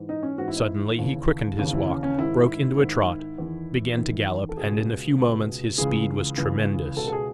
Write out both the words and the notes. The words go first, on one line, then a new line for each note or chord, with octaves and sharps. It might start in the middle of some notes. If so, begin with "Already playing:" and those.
Suddenly he quickened his walk; broke into a trot; began to gallop, and in a few moments his speed was tremendous.
Already playing: G#2 E3
D#4
C#4
G#2 E3 F#4
E4
D#4
E4
D#2 C#3 E3
D#2 C#3 E3
E4
C#4
C#4
G#2 D#3 E4
G#2 D#3
E2 D#3
E2 D#3
A4
B2 G#4
C#2
C#2 B2
C#2 C#3 E3 G#4
C#2 C#3 E3
C#2 B2 A4
A4
G#4